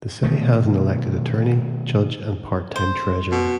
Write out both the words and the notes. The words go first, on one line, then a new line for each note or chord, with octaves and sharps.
The city has an elected attorney, judge and part-time treasurer.
B2 D#3 A3
C5
B2